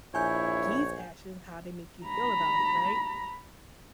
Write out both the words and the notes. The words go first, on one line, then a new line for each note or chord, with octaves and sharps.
these actions, how they make you feel about it," right?
A#1 E4 C#5 G#5 G6
A#5 B5